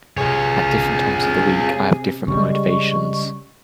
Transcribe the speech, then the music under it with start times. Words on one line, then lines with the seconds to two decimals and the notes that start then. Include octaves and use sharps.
At different times of the week I have different motivations.
0.18 C3 F4 G#4 C#5
2.28 C#3 G3 G#3 C#6